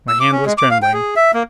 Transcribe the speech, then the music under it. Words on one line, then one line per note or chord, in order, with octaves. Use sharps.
My hand was trembling.
E6
D6
C#4
G#3
D6
F5
G5
G#4
E5
A#3